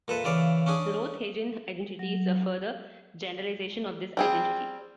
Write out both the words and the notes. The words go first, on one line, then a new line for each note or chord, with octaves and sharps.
The Rothe-Hagen identity is a further generalization of this identity.
A#2 A4 B4 E5
C#3 E3 D5 E5 F5
C#4 D4 G#4
F#3
G3 C4 G#4